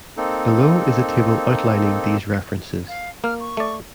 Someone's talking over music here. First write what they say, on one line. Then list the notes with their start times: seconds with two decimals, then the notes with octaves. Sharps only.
Below is a table outlining these references.
0.17 A#3 C4 D#4 A4
2.88 F5
3.24 A#3 F6
3.40 C#6
3.57 A3 D5